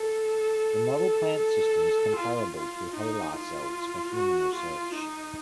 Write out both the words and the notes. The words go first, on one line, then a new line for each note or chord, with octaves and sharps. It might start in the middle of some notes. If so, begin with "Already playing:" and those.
The model plant system is comparable to HeLa cells for human research.
Already playing: A4
A4
A4
F4
F4
D#4
F4
F#4
F4
D#4